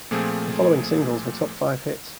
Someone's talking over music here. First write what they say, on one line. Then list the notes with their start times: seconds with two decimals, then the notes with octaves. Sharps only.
The following singles were top five hits.
0.11 A#2 F3 A3 C4 G#4